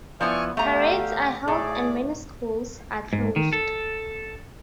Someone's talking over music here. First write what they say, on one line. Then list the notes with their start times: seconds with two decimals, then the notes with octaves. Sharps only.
Parades are held and many schools are closed.
0.21 F3 B3 E4 D5 G#5 C#6 F6
0.57 D3 A3 G4 F5 A#5
1.48 A2 G#4 D5
3.13 G#2
3.36 D#3
3.53 A4